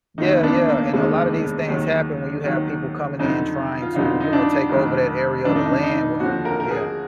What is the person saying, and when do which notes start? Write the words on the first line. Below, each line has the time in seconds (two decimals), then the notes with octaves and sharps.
Yeah, yeah, and a lot of these things happen when you have people coming in, and trying to, you know, take over that area of the land wa Yeah.
0.18 F1 D#2 D#3 D#4
0.37 B3
0.43 D4
0.68 A#3
0.93 F1 D#2 D#3 G#3
1.68 D#2 D#3 F#3
2.44 D#2 D#3 F#3
3.19 F2 D3 F#3 D#4
3.82 F4
3.95 F2 D3 F#3 D#4
4.20 D#4
4.33 D4
4.69 F1 F2 D#3 F#3
5.45 F1 F2 D#3 F#3 D4
5.55 D#4
5.66 D4
5.83 D#4
6.20 D#2 D3 F3 F#4
6.45 A#4
6.60 A#4
6.71 G#4